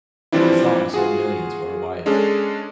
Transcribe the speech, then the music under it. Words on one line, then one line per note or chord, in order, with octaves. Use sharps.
The song sold millions worldwide.
E3 F3 G3 C4 D4 E4
F4 F#4 G#4
G#3 C#4 D4 G#4 A4